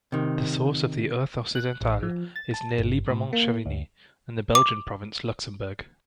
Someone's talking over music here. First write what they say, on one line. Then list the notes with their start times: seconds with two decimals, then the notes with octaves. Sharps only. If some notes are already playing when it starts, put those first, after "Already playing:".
The source of the "Ourthe Occidentale" is near Libramont-Chevigny, in the Belgian province Luxembourg.
0.12 C3 D#3
1.55 F#6
1.81 A1
2.03 F3
2.36 A6
2.54 A5
2.78 G1
3.10 A2
3.33 A#3
3.66 D2
4.55 D6